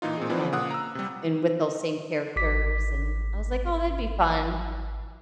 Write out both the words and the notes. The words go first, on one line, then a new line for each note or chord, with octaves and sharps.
Um, and with those same characters, and I was like, "Oh, that'd be fun."
A#2 E3 D#4 F4
A#2 C4 G#4
E3 F3 C4 E4 B4 D5
A#2 F#5 D#6 F#6
A#5 E6
C3 G3
G#1 D6 B6